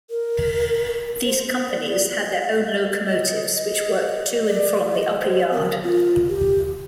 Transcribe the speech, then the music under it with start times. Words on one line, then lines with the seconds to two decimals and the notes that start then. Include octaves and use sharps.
These companies had their own locomotives which worked to and from the upper yard.
0.10 A#4
1.25 C5
1.71 D5
2.09 D5
2.17 D#5
2.63 D#5
3.08 D#5
3.55 D#5
4.00 D#5
4.46 D5
4.92 D#5
5.22 C5
5.53 A#4
5.83 F4
6.29 G4